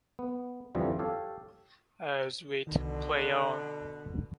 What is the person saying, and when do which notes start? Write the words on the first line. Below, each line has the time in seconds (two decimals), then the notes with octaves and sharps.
As with Play On!
0.19 B3
0.75 F2 D3 E3 F3 G3
0.99 G4 A4 C#5 F5
2.67 C2 B2 D3 D#3
3.12 F#6